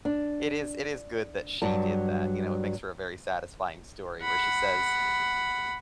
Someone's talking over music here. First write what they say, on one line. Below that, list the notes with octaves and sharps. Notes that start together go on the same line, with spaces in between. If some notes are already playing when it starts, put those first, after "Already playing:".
it is it is good that she did that, you know, it makes for a very satisfying story where she says,
D4
G2 F#3 A5
F#5 B5